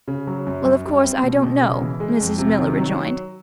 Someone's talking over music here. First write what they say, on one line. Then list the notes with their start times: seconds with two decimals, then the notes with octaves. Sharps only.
"Well, of course, I don't know," Mrs. Miller rejoined.
0.08 C#3
0.27 F#3
0.47 F#2
0.65 F#2
0.86 G3
1.05 C4
1.23 B2
1.42 B2
1.62 C#3
1.81 E3
2.00 G#3
2.20 F2
2.38 C3
2.58 D#3
2.77 F#3